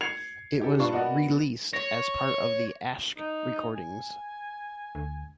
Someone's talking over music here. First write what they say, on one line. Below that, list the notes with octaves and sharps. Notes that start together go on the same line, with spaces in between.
It was released as part of "The Asch Recordings".
G#6 C7 C#7 F7
D#4 G4 A4
G2 D4 F4 B4 A5 C#6
B3 F#4 A#4 D5 D#5 F#5
C#5 A#6
D#4
G#5
D2